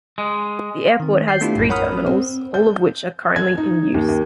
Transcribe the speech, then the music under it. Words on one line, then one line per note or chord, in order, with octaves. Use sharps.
The airport has three terminals, all of which are currently in use.
G#3
D#3 C4
G6 C7
A3 B3 D4 E4 F4 G4
A#1 F#2 A2
A#4 C#5 F#5 B5 D#6 F6
C4
G6
G#6
D#4
D#2
D#2